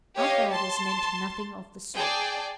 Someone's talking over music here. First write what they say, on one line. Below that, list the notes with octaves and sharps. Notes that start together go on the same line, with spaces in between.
Our fathers meant nothing of the sort.
G4 C#5 D#5 F5
A5 C6
G#4 D5 G5 A5